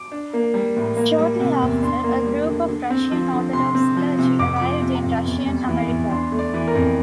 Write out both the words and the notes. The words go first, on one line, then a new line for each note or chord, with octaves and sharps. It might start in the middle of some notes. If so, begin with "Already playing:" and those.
Shortly after, a group of Russian Orthodox clergy arrived in Russian America.
Already playing: D6
D4
A#3
G3
A2
A#3
G3
C3
E2
D4 C6
A#3
G3
D3
D3
C4
F3
D3
C3 C6
C4
F3
C3
F2 D6
F3 D6
C3
F2
E2
G3
E3
E2
D4 C6
A3
D5
E3
A#4
F2